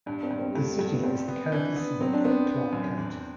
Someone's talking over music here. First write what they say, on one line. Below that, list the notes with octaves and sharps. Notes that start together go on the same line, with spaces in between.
The city is the county seat of Clark County.
G2 D4
C4
G2
C4
G3
G2 A3
A3
G2
B3
G2 C4
B3
E3 D4
B3
F#3 C4
D4
B3 C4
B3
F#2
E2